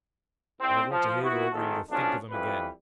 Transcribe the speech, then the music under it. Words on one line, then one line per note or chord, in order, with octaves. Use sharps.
I never want to hear, or read, or think of them again!'
C2 C4
F3
B3 E4 F#4
G#1 D#3 G#3 A4
B1 F3 C#4 D4
F2 E3 G3 B4